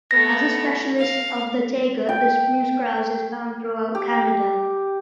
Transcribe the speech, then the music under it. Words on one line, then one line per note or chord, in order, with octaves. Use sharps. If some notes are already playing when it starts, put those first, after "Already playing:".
As a specialist of the taiga, the spruce grouse is found throughout Canada.
A3 B3 A#6
F5
G5
G4